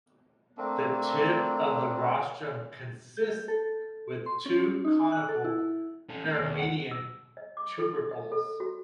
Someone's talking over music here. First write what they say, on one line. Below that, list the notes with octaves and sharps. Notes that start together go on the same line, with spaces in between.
The tip of the rostrum consists with two conical paramedian tubercles.
A3 A#3 C4 D4
G6
A4
C6
C#4
D#4
F#6
A4
E4
C#4 A4
A#3
D#2
F#5
E6
D#5
D6
A4
D#5
A4
F#4